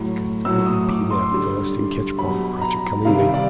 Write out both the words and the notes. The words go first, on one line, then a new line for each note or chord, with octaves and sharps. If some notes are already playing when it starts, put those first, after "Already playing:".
If he could only be there first, and catch Bob Cratchit coming late!
Already playing: A2 F#3
A2 F#3 E6
D#6
D6
C6
D3 G3
B2 F#3 B5
A#5
C3 D#3 G3 F5
D5